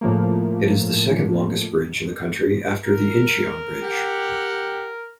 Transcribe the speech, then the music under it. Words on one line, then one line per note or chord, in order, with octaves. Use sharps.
It is the second longest bridge in the country after the Incheon Bridge.
A2 C#3 F3 A3 A#3
A#4
G4 F#5